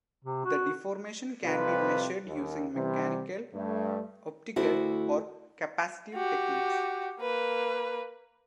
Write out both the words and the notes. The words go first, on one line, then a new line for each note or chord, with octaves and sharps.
The deformation can be measured using mechanical, optical or capacitive techniques.
C3
F#4
C2 F2 C3 F4 B4 C5
D#2
C3 E3 G3
G2 A3
D2 E4 F#4 A4 C5
F#4 G4
A#3 B4